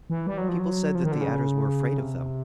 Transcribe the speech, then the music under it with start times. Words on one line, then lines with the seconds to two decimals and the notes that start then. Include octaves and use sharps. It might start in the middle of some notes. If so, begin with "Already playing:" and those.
People said that the Adders were afraid of them.
0.10 E3
0.27 G3
0.38 F#3
0.49 F3
0.59 F#3
0.95 F3
1.03 D#3
1.12 D3
1.21 C#3
1.98 C3